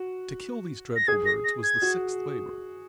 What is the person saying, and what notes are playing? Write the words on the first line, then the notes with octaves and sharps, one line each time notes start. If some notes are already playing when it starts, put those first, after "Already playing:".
To kill these dreadful birds was the sixth labor.
Already playing: F#4
A#6
G#4 G#6
A#6
A#6
G#6
F#4